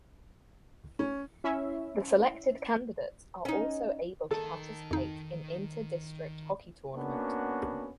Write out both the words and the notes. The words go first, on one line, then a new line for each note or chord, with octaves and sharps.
The selected candidates are also able to participate in Inter District Hockey tournament.
C#4
C#4 E4 E5
C#4 D#4
D#3 A4 A#4 A5
F2 D#4
A#3 B3 C#4 D4 F#4